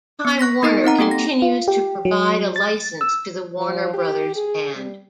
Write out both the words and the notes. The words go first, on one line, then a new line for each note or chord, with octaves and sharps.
Time Warner continues to provide a licence to the Warner Brothers brand.
B3
C#6 F#6 A#6 B6
B3 D#4 A#4 D#5 A6 C7
C4 D#4 F#5 A#5
A#3 G4 A4 G5
A#6
F4
G4
F#3
A6
E6
F3
G4
G#4
G3